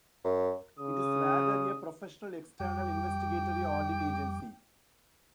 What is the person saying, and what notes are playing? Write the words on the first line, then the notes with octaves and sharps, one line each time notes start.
It is rather a professional external investigatory audit agency.
F#2
C#3 D#6
F2 G3 G5 D6